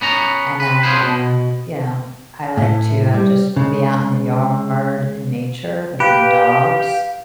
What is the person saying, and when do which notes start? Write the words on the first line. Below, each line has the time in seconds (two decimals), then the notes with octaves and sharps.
and then, uh, you know, I like to, uh, just be out in the yard and nature with my dogs,
0.01 B3 C#4 A#5
0.60 B4
0.83 C#4 F4 G#4 B4 C5
1.02 B2
2.57 A2 E4
3.14 G3
3.57 C#3 G#3
6.00 G4 B4 F5